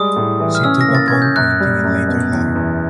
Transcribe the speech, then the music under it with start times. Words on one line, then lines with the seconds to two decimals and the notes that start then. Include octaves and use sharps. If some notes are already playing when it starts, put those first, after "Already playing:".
She took up oil painting in later life.
Already playing: G3 G#3 D#6
0.16 A2
0.40 E3
0.55 F6
0.64 C#4 E6
0.81 A#6
0.88 A#3
0.95 A6
1.08 C#4 G#6
1.22 G6
1.36 F#2 F#6
1.60 G3
1.84 F#2
2.08 B2
2.32 E2
2.55 E2